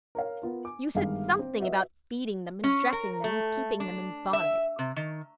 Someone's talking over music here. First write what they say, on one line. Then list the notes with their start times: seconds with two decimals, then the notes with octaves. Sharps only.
You said something about feeding them, and dressing them, and keeping them in bonnets.
0.15 A#4 C#5 F5
0.42 B3 F4 A#4
0.65 G#5 D6
0.95 G1 G2 D#3 G#3 F5
1.39 C4
1.60 F#4 B4 D#5 E5
2.64 C#4
2.92 A#4
3.24 A3
3.80 D4
4.33 E5
4.79 C3
4.96 D#3